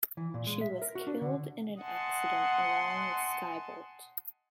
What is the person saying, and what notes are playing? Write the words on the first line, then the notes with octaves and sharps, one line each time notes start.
She was killed in an accident along with Skybolt.
E3
A#2
G#3
E5
A#4
F#4
D4
D3
D#5 F#5 G#5 A5 C6